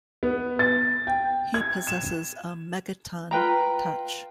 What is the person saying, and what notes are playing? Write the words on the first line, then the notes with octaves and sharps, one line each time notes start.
He possesses a Megaton Touch.
B3
A6
G5
G#6
E7
F4 B4 G5 A#5